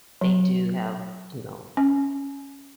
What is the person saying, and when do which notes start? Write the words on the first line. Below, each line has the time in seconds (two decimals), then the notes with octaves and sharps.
they do have, you know,
0.21 F#3
1.77 C#4